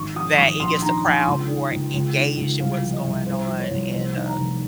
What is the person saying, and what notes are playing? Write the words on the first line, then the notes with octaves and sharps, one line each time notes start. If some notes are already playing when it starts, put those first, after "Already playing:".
that it gets the crowd more engaged in what's going on, and, uh,
Already playing: G#1 C#6
F3 D#6
G#1 C#6
A#1 C6
D#3 A#5
A#1 G5
C#2
D#3
C#2
C#2
D#3
C#2
C2 F5
F3
D#5
C2
C2 C5
F3
C#5
C2
F1 C5
D#3
A#5
F1